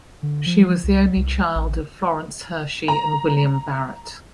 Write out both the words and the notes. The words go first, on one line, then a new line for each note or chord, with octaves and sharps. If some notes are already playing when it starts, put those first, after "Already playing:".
She was the only child of Florence Hershey and William Barrett.
D3
F3
C2
C2
A1
A#5